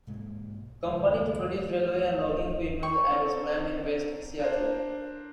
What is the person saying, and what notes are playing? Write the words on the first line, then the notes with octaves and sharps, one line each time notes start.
Company to produce railway and logging equipment at its plant in West Seattle.
B1 G#2 G3 A#3
D#1 C#2 F#2 A#2
E2 G3 A3
G5 C#6
C4 A4 A#4
D4 A#4 C5